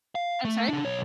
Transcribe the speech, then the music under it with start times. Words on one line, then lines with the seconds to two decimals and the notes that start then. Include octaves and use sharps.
I'm sorry?
0.15 F5
0.45 A3
0.69 C#3 D4
0.85 B1 C#5